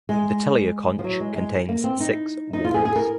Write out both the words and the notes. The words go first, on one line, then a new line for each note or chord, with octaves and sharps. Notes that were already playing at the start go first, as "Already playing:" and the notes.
The teleoconch contains six whorls.
G#3
F3
F#3
G#3
G#3
A#3
C4
D#4
D#4
F4
G#4
G#4
A#4